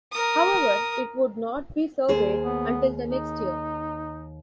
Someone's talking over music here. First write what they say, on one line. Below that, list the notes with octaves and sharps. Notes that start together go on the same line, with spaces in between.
However it would not be surveyed until the next year.
A#4 D#6
D#2 G#4 C5
B3
D#4